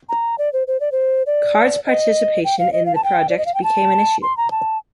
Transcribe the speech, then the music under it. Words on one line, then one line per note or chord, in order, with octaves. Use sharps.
Card's participation in the project became an issue.
A#5
D5
C5
C5
D5
C5
D5
D#5
G5
F5
D#5
F5
A5
G5
D5
D#5
F5
G5
A5
C6
A#5
A5